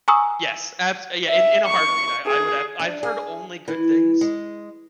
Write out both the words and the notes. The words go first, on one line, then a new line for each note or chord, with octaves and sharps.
Yes, abs yeah, in in a heartbeat, I I would have I've heard only good things,
G#5 A#5 C#6 D#6 E6
E5
C#6
G#4
D4
G#4
E3
G#3